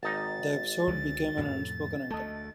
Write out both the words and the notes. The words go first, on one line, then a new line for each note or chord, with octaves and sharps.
The episode became an unspoken item.
G#1 D#4 A6
C#2 D3 G#3
F2 A2 C3
D2 A3 A4 D#5